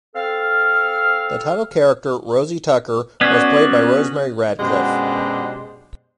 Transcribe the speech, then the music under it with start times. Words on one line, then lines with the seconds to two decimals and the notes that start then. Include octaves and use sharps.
The title character, Rosie Tucker, was played by Rosemary Radcliffe.
0.15 C4 A4 F5 F6
3.21 B3 C#4 F#4 D5 G#6 B6 C7
4.60 F#2 B2 G#3 D4 G4 C5